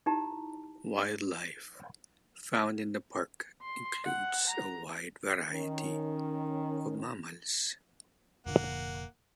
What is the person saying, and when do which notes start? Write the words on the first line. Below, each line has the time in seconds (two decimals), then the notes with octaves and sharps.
Wildlife found in the park includes a wide variety of mammals.
0.06 D#4 E4 G4 A5 A#5
3.62 C6
4.04 F#5
4.51 A#5
5.50 D#3 C#4
8.46 F1 A#2 D3 A#3 F#5